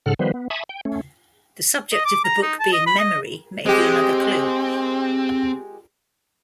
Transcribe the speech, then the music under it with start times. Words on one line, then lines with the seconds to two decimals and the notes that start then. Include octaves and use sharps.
The subject of the book being memory may be another clue.
0.06 G#2 C#3 A4 F#5 F6
0.19 D#3 F3 G3 B3 B4 C5
0.34 B3
0.50 E5 G#5 A5 B5 C#6 D#6
0.69 G5
0.85 A3 C#4
1.93 D#5
2.05 D6
2.24 A#5
2.42 D#4
2.60 A5
2.73 D#5
2.87 B5
2.99 D#5
3.66 G#3 C4 G4